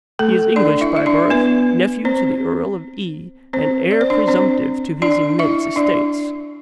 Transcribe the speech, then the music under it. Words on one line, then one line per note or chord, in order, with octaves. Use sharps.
He is English by birth, nephew to the Earl of E., and heir presumptive to his immense estates.
A3 A4
D4 D5
E4 E5
E5
D4 D5
B3 B4
C4 C5
C4 C5
D5
C5
D4 D5
C4 C5
D4 D5
E4 E5
D4 D5